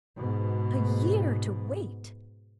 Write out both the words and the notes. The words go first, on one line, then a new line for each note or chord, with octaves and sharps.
A year to wait!
G#2 B2